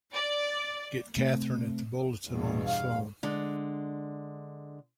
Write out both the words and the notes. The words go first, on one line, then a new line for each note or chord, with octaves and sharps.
Get Katherine at the Bulletin on the phone!
D5
C3 A3 C4
E2 G2 B2
F5
D3 G#3